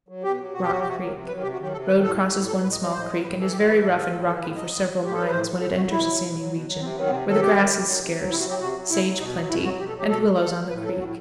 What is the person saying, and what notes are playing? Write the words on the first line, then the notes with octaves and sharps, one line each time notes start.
Rock Creek.--Road crosses one small creek, and is very rough and rocky for several miles, when it enters a sandy region, where the grass is scarce; sage plenty, and willows on the creek.
F#3
B2 G4
F#3
B2 F#4
G4
F#3 F#4
C3 G4
F#4
D#3 F#3
C3
D#3 F#3 B4
C3 G4
F#4
D#3 F#3 G4
C3 A4
D#3 F#3 B4
A2 A4
F#3
A2 G4
F#3 A4
A2 B4
D#5
F#3
D#5
A2 C5
D#5
F#3 C5
A2 B4
E3 A4
A2 G4
E3 B4
A2 A4
E3 A4
A2 A4
E3 A4
A2 B4
F#3 D#5
A2
F#3
A2 G4
F#3 A4
B4
A2 C5
F#3
B2 A4
F#3 F#4
B2 E4
F#3
B2
F#3
B2
F#3
C3 C4
D#3 F#3 B3
B3
C3 C4
D#3 F#3 A4
C3 G4
D#3 F#3
C3
D#3 F#3
C3
F#3
C3 E4
F#4
F#3
G4
C3 F#4
F#3
C3 E4
F#3
B2 D#4
F#3 D#4
B2 E4
F#3 F#4
B2 G4
A4
F#3 G4
B2 A4
F#3
A2 A4
F#3
A2 B4
F#3 A4
A2 F#4